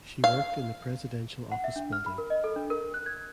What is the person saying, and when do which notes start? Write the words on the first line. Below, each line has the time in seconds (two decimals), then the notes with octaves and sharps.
She worked in the Presidential Office Building.
0.24 F5
1.52 F#5
1.64 E5
1.76 D4
1.92 F6
2.06 B5
2.18 A#4
2.30 D#5
2.44 A4
2.56 D4
2.70 A#4
2.94 F#6
3.06 G#6